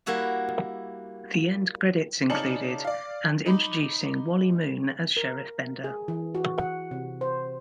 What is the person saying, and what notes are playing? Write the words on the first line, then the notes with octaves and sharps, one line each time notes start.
The end credits included: And Introducing Wally Moon as Sheriff Bender.
G3 A#3 E4 F#4 G4
C#3 D#4 D5 A5 C#7 F#7
D5 F5
D#4 B5 D6
A#4
G#4
E3
F#4
F#5
C3
C5